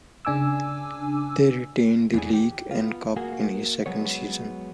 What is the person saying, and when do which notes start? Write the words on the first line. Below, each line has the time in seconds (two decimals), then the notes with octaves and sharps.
They retained the League and Cup in his second season.
0.25 C#3 D4 G#5 D6 E6
2.14 E2 E3 G#4
2.33 G4
2.71 B3 F4
3.16 A#3 F#4 G#4
3.86 F#3 G#3 B3 C#5